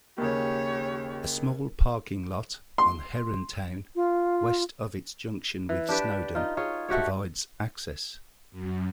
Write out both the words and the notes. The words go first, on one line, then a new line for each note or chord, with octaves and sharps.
A small parking lot on Herrontown, west of its junction with Snowden, provides access.
D#2 C#3 G4 C#5
C6
F4
E3
D4 G4 B4 D5
D#4 F4
F4 G#4 C#5
A3 F#4 G4 C#5
F#2